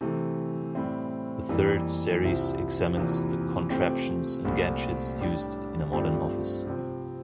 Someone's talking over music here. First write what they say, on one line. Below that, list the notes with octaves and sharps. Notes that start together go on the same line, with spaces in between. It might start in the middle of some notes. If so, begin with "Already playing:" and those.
The third series examines the contraptions and gadgets used in a modern office.
C3 E3 A3
A2 G3 C4 E4
F2 E3 G3 A#3
C2 C3 F3 C4 E4
E2 C3 E3 A#3 F4
C3 F3 A3 C4 G4
C2 A#2 A3 C4
A2 G3 D4 G4
G2 F3 A3 C4 G4
C3 F3 C4